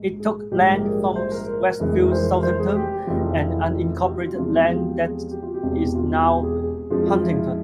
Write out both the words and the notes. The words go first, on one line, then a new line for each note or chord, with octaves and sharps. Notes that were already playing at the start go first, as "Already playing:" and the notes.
It took land from Westfield, Southampton, and unincorporated land that is now Huntington.
Already playing: A#1 G#2 G#3
G#4
A#1 G#2 G3 G4
A#4
G#4
C5
A#4
F1 F2 E3 G#3
A#4
C5
A#4
C5
G#4
G4
F1 F2 C#3 E3 F4
E4
F4
G4
F4
F4
E2 C3 F3 G#3 F4
G#4
G4
F4
G4
G#4
G4
F4
G4
E1 E2 C3
F4
G4
G#4
F2 C#3 F3 G#3 F4
F4
E4